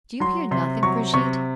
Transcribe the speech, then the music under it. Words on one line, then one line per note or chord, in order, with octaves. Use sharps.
Do you hear nothing, Brigitte?
F#3 C6
C3 C6
F#3 C#6
C3 C#6